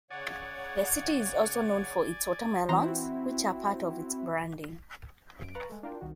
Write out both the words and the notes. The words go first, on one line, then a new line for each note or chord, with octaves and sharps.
The city is also known for its watermelons, which are part of its branding.
C#3 C#5 D5 F#5 G#5
E3 C4 E4 F#4 A#5 C6
F#2 D7
B4 F5 A#5 C#6 F#6 A6
G#3 A3
D4 E4 F4 A#4 F5 G5
C2 D#3 F#4